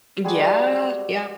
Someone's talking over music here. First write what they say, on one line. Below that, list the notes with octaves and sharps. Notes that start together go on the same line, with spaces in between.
Eh, g yeah, yeah.
G3 G#3 F#4 G#4